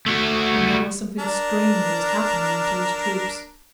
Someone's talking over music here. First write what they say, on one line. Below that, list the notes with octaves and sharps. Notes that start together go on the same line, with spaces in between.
But now something strange was happening to his troops.
A3 F#4
D4 A#4